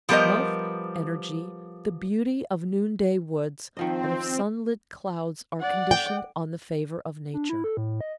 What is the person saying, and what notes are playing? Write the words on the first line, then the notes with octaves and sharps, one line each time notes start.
Health, energy, the beauty of noonday woods and of sunlit clouds are conditioned on the favor of nature.
F3 G3 B3 A#4 C5 D#5
D#3 F3 C4 D#5
D5 F#5
G5
D4
E4
A4
A2
D#5